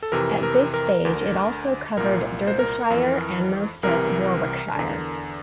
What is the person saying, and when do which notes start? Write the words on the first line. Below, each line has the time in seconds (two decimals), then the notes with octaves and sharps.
At this stage it also covered Derbyshire and most of Warwickshire.
0.03 A4
0.12 F2 C3 E3 A#4
0.43 A#4
0.74 A#4
1.05 D2 D3
1.97 C2 A#2 A#4
2.47 C5
2.59 A#4
2.90 F2 E3
3.83 C2 C3 E3 A#4
4.76 E2 D3